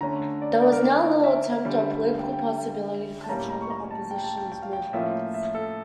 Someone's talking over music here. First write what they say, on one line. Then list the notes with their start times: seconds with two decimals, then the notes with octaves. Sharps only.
There was now little attempt or political possibility to control the opposition's movements.
0.01 D3 A3 C#4 A#5
0.42 D5
0.52 C#5
0.62 D5
0.73 A#4
0.82 D5
1.24 E5
1.65 D3 G3 C#4
2.06 F5
2.19 G5
2.33 G5
3.24 A5
3.29 A2 G3 A#3 C#4 A#5
3.50 A#5
3.62 C#6
3.70 A#5
3.91 A5
4.11 G5
4.24 A5
4.37 G5
4.52 G5
4.63 F5
4.73 G5
4.93 A2 F3 A#3 C#4 E5
5.34 E5
5.55 A4